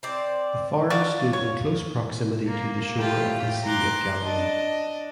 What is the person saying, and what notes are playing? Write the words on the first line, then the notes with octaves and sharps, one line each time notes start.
The farm stood in close proximity to the shore of the Sea of Galilee.
C4 C5 D5
F4 F#4 D5
C#5
A#3
A2 F4 G4
A#5 C6 D6 F#6
D4 D#5